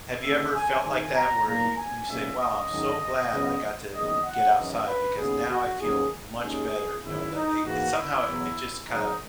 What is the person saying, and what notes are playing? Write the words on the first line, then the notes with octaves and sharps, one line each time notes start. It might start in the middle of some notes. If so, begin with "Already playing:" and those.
have you ever felt like that where you you say, "Wow, I'm so glad I got to get outside because now I feel much better," you know? That it somehow it just kind of,
D#2 C#3 G#3 C#4 E5
G#5
G#1 G#2 D#3 G#5
A#5
B1 A#2 A#3 A#5
G#5
B1 A#2 G#3 C#4 E5
D#5
G#2 D#3 F#3 C#4
C#2 C#3 F#3 B3
F#1 E2 D#3 G#3 D#5
F#5
G#1 F#2 E3 D#5
B4
D#2 C#3 G#3 B3 G#4
F#4
D#2 D#3 F#3 C#4 G#4
D#2 D#3 G#3 C#4 G#4
G#1 F#2 D#3 E4
D#4
G#2 E3 A#3 F#4
E4
E2 B2 F#3
G#1 G#2 F#3 D#4